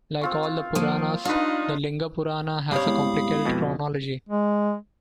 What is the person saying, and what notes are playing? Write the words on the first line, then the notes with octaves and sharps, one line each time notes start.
Like all the Puranas, the "Linga Purana" has a complicated chronology.
C4 F4 C#6
F3 A#3 D#6
D4 D#4 F4 B4
G2 C3 C#5 F5 B5 D#6
G#3 B3 E4
F2 B2
G#3